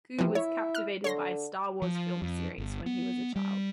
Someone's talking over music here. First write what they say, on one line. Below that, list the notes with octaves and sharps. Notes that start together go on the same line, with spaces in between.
Koo was captivated by "Star Wars" film series when he was a child.
C3 E3 F3
E4 C#5
F6 F#6
D3 C#5 C6 A#6
F3
F2
G1
B3
G3